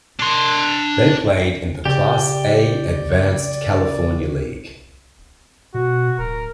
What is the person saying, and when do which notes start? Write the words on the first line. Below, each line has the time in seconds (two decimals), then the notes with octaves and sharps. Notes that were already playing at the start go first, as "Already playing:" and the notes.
They played in the Class A-Advanced California League.
0.20 D4 C6
1.85 C#3 G4 D5
5.74 B2 F#4
6.19 D1 A#4